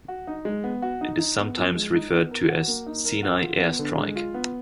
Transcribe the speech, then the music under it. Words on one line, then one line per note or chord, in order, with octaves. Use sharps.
It is sometimes referred to as "Sinai Air Strike".
F#4
D#4
G#3
B3
F#4
D#4
D#4
B3
F3
G#3
D#4
B3
A#4
F#4
A#3
D#4
A#4
F#4
F4
B3
D3
G#3
F4
B3